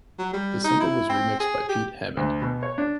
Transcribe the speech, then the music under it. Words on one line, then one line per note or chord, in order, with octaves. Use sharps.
The single was remixed by Pete Hammond.
F#3
G3
D#4
E4
C4
G#4
G4
D2
B2
C#5
D4